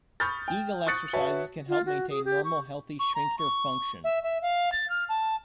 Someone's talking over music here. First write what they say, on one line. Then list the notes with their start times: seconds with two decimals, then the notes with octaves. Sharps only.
Kegel exercises can help maintain normal, healthy sphincter function.
0.20 B5 C#6 D#6 F6 G6 A6
0.48 G5
0.87 C#6 D#6 F#6 A6 C#7
1.13 F#4 B4 C#5 E5 A5
1.69 F4
1.86 F#4
2.10 G#4
2.25 G4
2.44 C#6
2.99 C#6
3.15 A#5
3.38 C#6
4.04 E5
4.23 E5
4.42 F5
4.72 A6
4.90 F6
5.09 A5